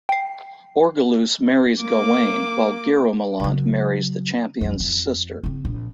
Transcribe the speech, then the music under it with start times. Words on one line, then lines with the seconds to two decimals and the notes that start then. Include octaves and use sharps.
Orgeluse marries Gawain while Guiromelant marries the champion's sister.
0.09 G5 C7
1.82 A#3 D6
3.40 C#3 F#3
4.61 F#2 F3
4.80 F2
5.44 C#3 C4
5.65 A#1